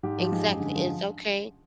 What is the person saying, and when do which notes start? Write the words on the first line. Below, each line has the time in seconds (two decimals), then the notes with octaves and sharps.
Exactly, it's okay.
0.03 G#2 G4
0.18 F3
0.32 G#3
0.46 F#2
0.60 D3
0.75 F3